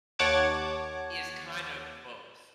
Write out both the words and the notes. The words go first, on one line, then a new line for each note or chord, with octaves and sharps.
is kinda both.
D#2 C#5 F#5 A5 D6 G#6